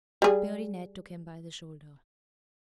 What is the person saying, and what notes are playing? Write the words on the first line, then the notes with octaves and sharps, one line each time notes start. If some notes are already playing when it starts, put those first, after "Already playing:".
Beardy Ned took him by the shoulder.
G3 G#4